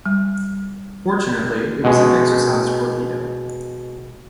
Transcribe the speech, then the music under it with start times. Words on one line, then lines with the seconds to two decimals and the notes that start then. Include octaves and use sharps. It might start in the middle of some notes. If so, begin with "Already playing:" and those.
Fortunately, it was an exercise torpedo.
0.06 G3
1.84 B2 G#3